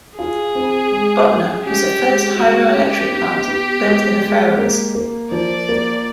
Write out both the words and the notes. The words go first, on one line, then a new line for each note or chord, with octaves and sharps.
Botnur was the first hydroelectric plant built in the Faroes.
F4 G#4
C4
G#3
F4
C#4 G4
G#3
G#3 F#4
C#4 G4
B3
B3
G#3
G#3
A#3
A#3
F3 D5
A#3